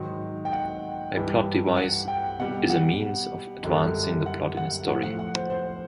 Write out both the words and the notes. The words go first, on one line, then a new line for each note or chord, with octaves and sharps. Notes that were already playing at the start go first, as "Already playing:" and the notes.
A plot device is a means of advancing the plot in a story.
Already playing: G#2 D#3 F#3
G5
F#5
G2 E3 G3
F#5
G5
B2 G3 F#5
F#5
F#2 D3 G3
F#5
F#5
A2 F3 F#5
F#5
F#5
C5
C5